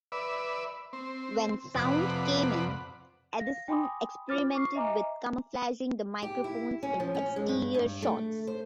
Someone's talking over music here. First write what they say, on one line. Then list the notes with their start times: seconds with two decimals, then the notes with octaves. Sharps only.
When sound came in, Edeson experimented with camouflaging the microphones in exterior shots.
0.12 B4 D5 E5
0.93 C4
1.75 F2 C3 B4 D5 F#5
3.40 F5 A#6
3.68 G5 G#5 B5 C6 D6 D#6
4.29 F4 C5 D6 F6 A6
4.54 C#6 D6 F6 C7
4.75 D#5 E5 G#5 A#5 D6
6.22 G4
6.44 E4
6.83 C#4
7.00 F3
7.15 C#4
7.36 G#3
7.48 G2
7.74 G2
8.02 A3
8.47 C5